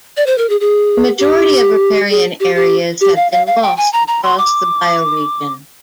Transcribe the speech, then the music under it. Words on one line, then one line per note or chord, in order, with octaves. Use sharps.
The majority of riparian areas have been lost across the bioregion.
D5
C5
A#4
G#4
G#4
G4
G#4
G4
G4
G4
F5
F5
F5
G5
G#5
A#5
A#5
C6
D6